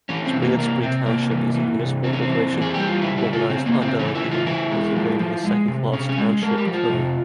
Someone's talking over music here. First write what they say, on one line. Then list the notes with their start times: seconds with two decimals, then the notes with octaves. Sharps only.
Springettsbury Township is a municipal corporation organized under the Pennsylvania Second Class Township Code.
0.09 E3 C#4
0.25 C4
0.33 C3
0.42 A#3
0.58 C3 A#3
0.82 C3 C4
1.06 C3 A#3
1.31 E3
1.55 E3
1.79 C3
2.04 E3 C4
2.13 C#4
2.22 C4
2.29 E3
2.52 E3
2.62 G#4
2.74 G3 G4
2.87 F4
3.01 C#3 E4
3.18 E4
3.26 C#3
3.33 F4
3.50 C#3 C4
3.66 A#3
3.74 C#3
3.82 C4
3.99 E3 C#4
4.15 E4
4.22 C#3
4.31 F4
4.46 E3 E4
4.71 G#3
4.96 F3
5.19 F3
5.45 G#3
5.68 C3
5.93 C3 C#4
6.09 C#4
6.18 G#3
6.42 G#3 A#4
6.58 G4
6.66 F3
6.74 F4
6.90 C3